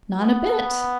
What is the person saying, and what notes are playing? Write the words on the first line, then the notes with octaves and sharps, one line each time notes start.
'Not a bit.
B3